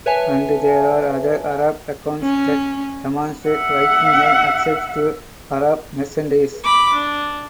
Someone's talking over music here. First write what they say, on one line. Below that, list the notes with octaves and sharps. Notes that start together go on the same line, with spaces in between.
And there are other Arab accounts that demonstrate Vikings had access to Arab merchandise.
B4 C#5 E5 G#5 A5
C#4
E5 F#5
B5 D6
D4